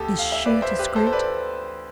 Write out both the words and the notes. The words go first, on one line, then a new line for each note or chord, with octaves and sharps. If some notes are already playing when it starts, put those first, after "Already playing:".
"Is she discreet?"
Already playing: D2 G4 A4
F5
E5
B4 D5
C5 E5
G4 B4
A4 C5
C5
B4 D5